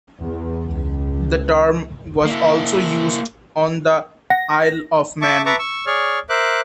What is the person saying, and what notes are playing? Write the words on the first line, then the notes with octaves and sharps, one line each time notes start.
The term was also used on the Isle of Man.
E2
C#2
A#3 E4
F#5 A#6
E5 A5 C#6 D6
B4 E5 A5 A#5 C#6 D6
C#6 E6
G#4 C#5 D5 C#6 F6
A#4 C5 E5 D6 F#6